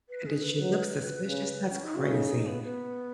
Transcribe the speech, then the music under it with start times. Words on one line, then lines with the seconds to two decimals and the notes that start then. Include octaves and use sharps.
Did she look suspicious? That's crazy.
0.09 B4
0.26 G#4
0.43 B4
0.60 F#3
1.27 C#3
1.70 C#4
1.83 D#4
1.96 C#3 F#4
2.13 D#4
2.30 D#4
2.47 B3
2.63 B3